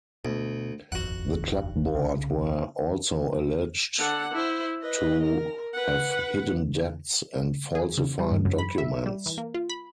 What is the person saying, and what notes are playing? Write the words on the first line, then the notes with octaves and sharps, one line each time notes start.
The club board were also alleged to have hidden debts and falsified documents.
D2 B2
D#1 G#1 F2 F#4 F#5
C2 C#3
D3 F#5
E4 C5
B4 D#5
A#4
B4 F#5
G#4
C#3
G3
G2
F#2
B5
E5
G3
E3
A#3
F4
B5